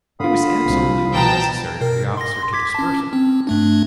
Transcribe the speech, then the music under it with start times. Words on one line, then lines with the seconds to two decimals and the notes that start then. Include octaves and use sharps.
It was absolutely unnecessary for the officer to disperse it.
0.20 D3 F4 F5 B5 D#6
0.65 C2
1.15 B2 G5 A5 A#5
1.81 B2 A#4
2.17 C6 A#6
2.53 D6 G#6 B6
2.75 C#4 A5
3.13 C4
3.47 G2 A3 D4